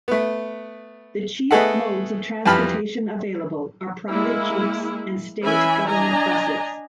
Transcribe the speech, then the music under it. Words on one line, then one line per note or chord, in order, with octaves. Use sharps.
The chief modes of transportation available are private jeeps and state government buses.
A3 B3
A3 B3 G#4 A4 D#5 F#5
F2 E3 G3 A5 B5 F6
G#3 A#3 E4
E3 C#4 E4 E5 G#5 B5
D4 D#5 G#5 A#5